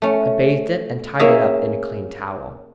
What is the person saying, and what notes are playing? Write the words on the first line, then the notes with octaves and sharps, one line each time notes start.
I bathed it, and tied it up in a clean towel.
A3 C#4
A#3 C#4 G#4 E5